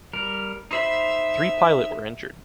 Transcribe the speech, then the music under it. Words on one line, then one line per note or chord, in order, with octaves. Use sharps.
Three pilot were injured.
G3 A#4
D#4 C5 E5 B5